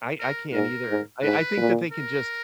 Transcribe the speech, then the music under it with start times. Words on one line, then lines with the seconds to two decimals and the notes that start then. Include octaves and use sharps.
I I can't either, I I think that they can just
0.20 A#4
0.53 G#2 A#4
0.88 G#2
1.22 G#2 B4
1.57 A#2
1.92 A#4